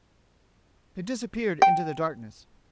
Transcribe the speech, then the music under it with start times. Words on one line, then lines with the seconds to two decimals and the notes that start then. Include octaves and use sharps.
They disappeared into the darkness.
1.62 G5